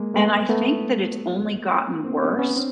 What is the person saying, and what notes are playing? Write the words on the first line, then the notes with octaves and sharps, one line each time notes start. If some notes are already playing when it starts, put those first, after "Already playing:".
And I think that it's only gotten worse
Already playing: G#3 A#3
A3 B3
A3 B3
A#3 C4
B3 C#4
B3 C#4
C4 D4